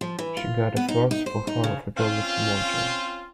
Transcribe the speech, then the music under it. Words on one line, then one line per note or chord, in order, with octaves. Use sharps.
She got a first for her photography module.
F3
E3
F4
B3
D#4
D#4
C5
D#4
C#3
C4 C#4 F4